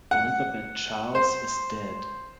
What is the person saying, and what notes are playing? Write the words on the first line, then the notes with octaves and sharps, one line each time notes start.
Elizabeth Charles is dead.
F#5
C5